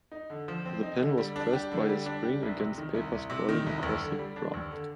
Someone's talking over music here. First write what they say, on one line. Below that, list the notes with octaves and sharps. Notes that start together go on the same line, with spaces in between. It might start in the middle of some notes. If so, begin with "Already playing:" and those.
The pen was pressed by a spring against paper scrolling across the drum.
D#4
D3
F3
C4
D#4
D3
G3
D4
G4
D3
G3
D4
G4
C2
C3
D#3
C2
C2
C3
D#3
C2
D#2
D3
G3
D4
D#2
D3